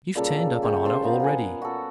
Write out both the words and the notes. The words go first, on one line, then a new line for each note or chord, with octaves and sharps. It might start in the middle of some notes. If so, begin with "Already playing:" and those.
You've turned up an honor already.
A#2 C#3 G3 A4
C#3 C#5 G5
F4 G4 A4 C5
A#2 F3 B3 A#5
F5 F#5 G#5
F#4 A4